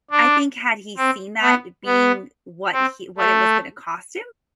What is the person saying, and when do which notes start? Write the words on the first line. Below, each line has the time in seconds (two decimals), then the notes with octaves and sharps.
I think had he seen that being what he what it was gonna cost him,
0.11 D4
0.98 C4
1.41 B3
1.86 B3
2.73 C4
3.18 A3